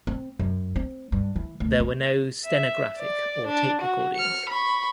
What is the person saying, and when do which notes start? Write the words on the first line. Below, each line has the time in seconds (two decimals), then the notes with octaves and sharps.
There were no stenographic or tape recordings.
0.07 C4
0.39 F#2
0.76 C4
1.12 G2
1.36 E3
1.60 D2
1.80 C4
2.45 E5
2.98 D5
3.47 D4
3.81 F#4
4.15 F6 C#7
4.49 B5 C#6